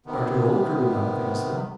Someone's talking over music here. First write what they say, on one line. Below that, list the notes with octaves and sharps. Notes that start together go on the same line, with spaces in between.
Dr. Oldacre would not advance them.
C3 D#3 B3